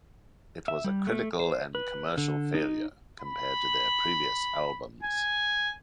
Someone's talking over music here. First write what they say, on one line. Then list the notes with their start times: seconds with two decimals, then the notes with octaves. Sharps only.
It was a critical and commercial failure compared to their previous albums.
0.68 E5
0.84 G3
1.07 A3
1.40 C5
1.75 B4
2.17 D3
2.54 D#4
3.21 B5
5.03 G#5